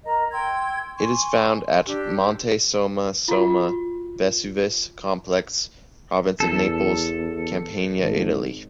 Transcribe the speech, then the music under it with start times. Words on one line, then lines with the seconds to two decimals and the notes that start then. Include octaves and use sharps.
It is found at Monte Somma, Somma-Vesuvius Complex, Province of Naples, Campania, Italy.
0.04 A#4 D#5 A#5
0.32 G5 C6 E6 G#6
0.97 G#5 C6 C#6
1.86 D4 G4 E6
3.28 F4 F#4
6.40 E2 A4
7.97 G#1